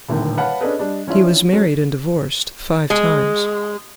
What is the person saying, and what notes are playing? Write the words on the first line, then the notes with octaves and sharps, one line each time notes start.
He was married and divorced five times.
D#1 A1 A2 D3 D#3 G5
B4 C#5 F5 F#5 A5 B5
C#4 D4 G#4 A4 B4 D#5
G3 D4 D#5
E3 C#4 D4 F4 E5
F#3 C#4 A4
G#3